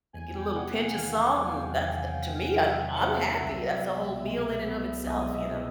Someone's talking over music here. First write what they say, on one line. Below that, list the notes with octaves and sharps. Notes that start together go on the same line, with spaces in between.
I get a little pinch a salt, and that's the to me, uh, I'm happy, that's a whole meal in and of itself, you know?
E2 G#5
G5
C3 F#5
F#5
D#3 F5
F#5
F#3
G5
G5
E2 G#5
G5
C3
F5
D#3 E5
F#5
F#3
F#5
C2 E5
B2
G#3
B3
C2 D#5
E5
B2